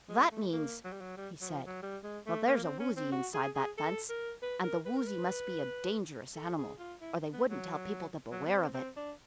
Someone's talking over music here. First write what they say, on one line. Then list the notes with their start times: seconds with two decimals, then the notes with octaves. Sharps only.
"That means," he said, "that there's a Woozy inside that fence, and the Woozy must be a dangerous animal or they wouldn't tell people to beware of it."
0.09 G#3
0.31 A3
0.53 A#3
0.85 F#3
0.93 G3
1.01 F#3
1.17 G3
1.41 F#3
1.49 F3
1.67 F#3
1.83 G3
2.04 G#3
2.26 A3
2.47 A#3
2.63 C4
2.80 C#4
2.97 C4
3.12 F#4
3.34 G#4
3.55 G#4
3.78 A4
4.09 A#4
4.42 B4
4.64 A#4
4.86 B4
4.97 A#4
5.08 B4
6.36 A4
6.58 G#4
6.79 F4
7.01 E4
7.33 B3
7.50 F#3
8.32 F#3
8.46 B3
8.53 C4
8.74 C4
8.97 D4